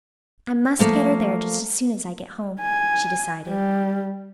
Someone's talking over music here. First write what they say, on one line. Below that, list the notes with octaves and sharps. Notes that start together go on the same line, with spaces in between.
"I must get her there just as soon as I get home," she decided.
F3 A3 A#3
G#5
G3